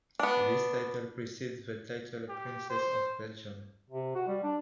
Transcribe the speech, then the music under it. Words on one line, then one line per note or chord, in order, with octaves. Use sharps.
This title precedes the title "Princess of Belgium".
B3 D4
G4
C5
C3
F#4
G3
D4